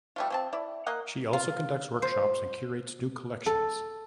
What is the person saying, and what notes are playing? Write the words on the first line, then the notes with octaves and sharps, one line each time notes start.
She also conducts workshops and curates new collections.
G3 A3 F4
F3 C4 A5
E4 D5
A#3 D#5 F5 F#5
F4
C5
A4